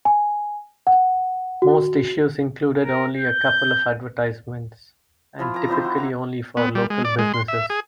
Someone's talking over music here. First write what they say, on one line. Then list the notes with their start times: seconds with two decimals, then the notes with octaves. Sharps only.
Most issues included only a couple of advertisements, and typically only for local businesses.
0.05 G#5
0.87 F#5
1.62 F#4
2.82 A#4
3.18 G6
5.39 F3 E4 F4
5.54 A#5 D6
5.68 C4 D#4 E4 C5
5.84 F#4
5.97 A#5
6.57 B3
6.75 G3
6.90 G#3
7.05 D5
7.19 G#3
7.34 C6
7.48 E5
7.70 G#4